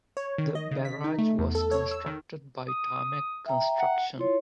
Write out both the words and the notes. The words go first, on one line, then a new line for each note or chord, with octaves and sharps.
The barrage was constructed by Tarmac Construction.
C#5
D#3
D#5
C#3
B6
D#4
A3
E2
A4
C#5
E6
D#3
D#6
E5 G5 A#5
F#5
E4 F4 C#5